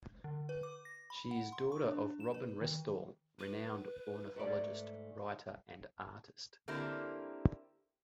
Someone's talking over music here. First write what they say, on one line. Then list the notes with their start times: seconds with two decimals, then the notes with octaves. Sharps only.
She is daughter of Robin Restall, renowned ornithologist, writer and artist.
0.24 D3
0.49 B4
0.63 D6
0.85 A#6
1.10 B5
1.31 F#5
1.52 C6
1.72 C#6
1.86 D4
2.20 E7
2.34 B4
2.61 D#3
3.39 B4
4.36 G#2 A3 D5
6.68 D3 A#3 C4 E4 G4 A#4